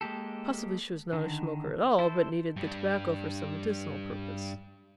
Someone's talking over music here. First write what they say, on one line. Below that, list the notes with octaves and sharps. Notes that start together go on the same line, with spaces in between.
Possibly she was not a smoker at all, but needed the tobacco for some medicinal purpose.
G#3 A#3 G4 A4
D3 D#3
E4 A4 C5
G2 G3